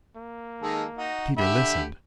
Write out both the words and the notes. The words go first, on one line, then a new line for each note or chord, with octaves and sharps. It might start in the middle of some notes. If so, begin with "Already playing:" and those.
Peter listened.
A#3
D#3 G#3 A4
D#4 F#4
D3 G4 E5 B5